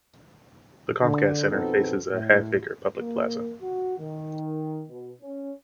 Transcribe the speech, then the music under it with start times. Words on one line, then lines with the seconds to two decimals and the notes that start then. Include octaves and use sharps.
The Comcast Center faces a half-acre public plaza.
1.03 D3
1.51 F2 B2 B3 C4 D#4 A4
2.12 A2
2.98 A#3
3.61 F#4
3.98 D#3
4.89 B2
5.21 C#4